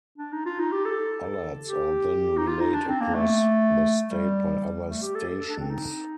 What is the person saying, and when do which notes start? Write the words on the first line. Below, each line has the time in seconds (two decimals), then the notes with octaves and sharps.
Alerts are then relayed across the state by other stations.
0.18 D4
0.32 D#4
0.46 F4
0.59 D#4
0.72 G4
0.85 A4
1.66 G4
2.38 D#4
2.47 F4
2.60 D#4
2.73 D4
2.88 C4
3.01 A#3
3.15 A3
4.08 G3
4.89 A3
5.02 G4
5.15 A4
5.40 A4
5.49 D4
5.59 C4
5.70 D#4